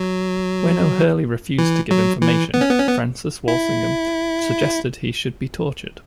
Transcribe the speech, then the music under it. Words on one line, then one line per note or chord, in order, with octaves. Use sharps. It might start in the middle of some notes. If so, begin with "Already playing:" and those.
When O'Hurley refused to give information, Francis Walsingham suggested he should be tortured.
Already playing: F#3
E3
F#3
E3
B3
C#4
B3
C#4
B3
E4